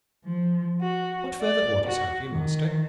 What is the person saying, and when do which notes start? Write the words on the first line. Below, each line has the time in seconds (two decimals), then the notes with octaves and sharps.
What further orders have you, Master?'
0.24 F3
0.80 F#4
1.42 D5
1.85 F#4
2.31 D#3